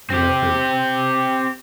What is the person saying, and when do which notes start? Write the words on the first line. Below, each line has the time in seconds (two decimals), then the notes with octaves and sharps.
We are free.
0.10 C4 G4